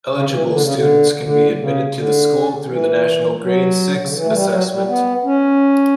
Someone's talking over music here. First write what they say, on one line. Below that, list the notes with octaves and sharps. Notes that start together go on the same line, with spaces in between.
Eligible students can be admitted to the school through the National Grade Six Assessment.
C#3
E3
D3
C#3
D3
D3
C#3
D3
E3
F#3
B2
C#3
D3
E3
A3
G3
F#3
G3
B3
C#4